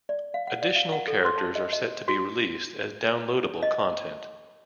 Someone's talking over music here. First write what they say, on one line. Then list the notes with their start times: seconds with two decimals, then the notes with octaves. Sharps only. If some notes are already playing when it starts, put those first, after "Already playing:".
Additional characters are set to be released as downloadable content.
0.09 D5
0.34 F5
0.47 F#5
0.62 D5
0.76 F5
0.92 F#5
1.08 A4
1.25 C6
1.38 A5
1.55 D#5
1.73 D#5
2.08 F#4
3.63 D#5